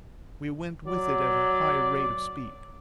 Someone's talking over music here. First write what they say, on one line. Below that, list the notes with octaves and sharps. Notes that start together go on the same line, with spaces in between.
We went with it at a high rate of speed.
F#3 D5